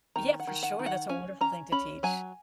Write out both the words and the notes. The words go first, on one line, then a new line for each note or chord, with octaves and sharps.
Yeah, for sure, that's a wonderful thing to teach,
D#3 A#5
F#5
D#3
F#5
D#3
F#5
C#4 G#5
C#4 A#5
C#4 B5
F#3 G#5